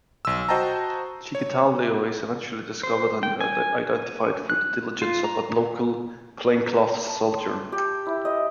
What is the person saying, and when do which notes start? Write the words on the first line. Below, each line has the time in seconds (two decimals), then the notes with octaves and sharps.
Chikatilo is eventually discovered and identified through the diligence of a local, plainclothes soldier.
0.25 B1 E6
0.49 F#4 C5 D#5 G5 A5 A#5
1.35 C#5
2.83 C5
3.23 G5
3.41 G#5
4.50 F#6
5.02 F4
5.24 A#5
6.67 A#4
7.07 A5
7.32 C6
7.72 G4
8.06 E4
8.25 D#5